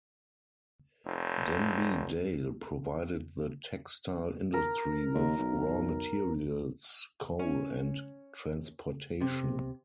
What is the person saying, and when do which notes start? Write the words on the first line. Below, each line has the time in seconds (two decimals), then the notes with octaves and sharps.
Denby Dale provided the textile industry with raw materials, coal, and transportation.
1.05 F1
4.54 A#4
5.15 D#2
5.38 B1
7.39 C#4
9.21 C3